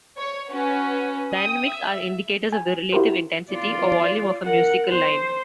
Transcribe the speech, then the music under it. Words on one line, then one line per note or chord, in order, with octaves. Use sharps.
Dynamics are indicators of the relative intensity or volume of a musical line.
C#5
C#4 F#4 B4
G5 D#6
E5
G#5
E4 F#4 G4 A#4 C5
F4 D5
A#4 F#5
C5